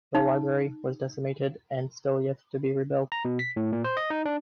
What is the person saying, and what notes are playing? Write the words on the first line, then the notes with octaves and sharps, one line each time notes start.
The library was decimated and still yet to be rebuilt.
D#4
A#5
B2
B6
A2
A#2
C5
D#5
D#4
D4